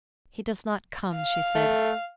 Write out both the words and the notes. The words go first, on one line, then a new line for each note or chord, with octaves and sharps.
"He does not come," she said.
F5
A3